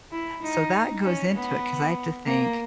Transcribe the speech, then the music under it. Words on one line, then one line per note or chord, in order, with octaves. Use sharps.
So, that goes into it, 'cause I have to think,
E4
D#4
C#4
B3
A#3